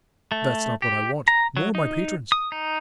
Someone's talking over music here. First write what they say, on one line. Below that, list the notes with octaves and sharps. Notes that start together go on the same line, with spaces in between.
That's not what I want, nor my patrons.
A3
G4
A#5
F#3
D#4
D#6
D#4